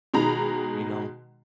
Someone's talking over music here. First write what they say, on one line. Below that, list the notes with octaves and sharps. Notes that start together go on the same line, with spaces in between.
You know?
B2 D#3 G#3 A#5 B5